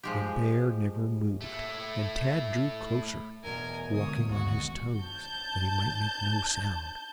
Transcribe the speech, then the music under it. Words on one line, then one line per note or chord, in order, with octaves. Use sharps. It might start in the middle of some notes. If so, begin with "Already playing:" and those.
The bear never moved and Tad drew closer, walking on his toes that he might make no sound.
F3 G#3 G4
A3 E4
E2 B2 A#4 G#5
D3 G#3 C#5 D#6
G1 D#2 G#3 F#4
A5 G6